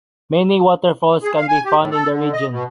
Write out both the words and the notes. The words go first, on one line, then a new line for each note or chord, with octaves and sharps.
Many waterfalls can be found in the region.
G#4
F5
G#5
G4
A2
A4
D3
D#5
B2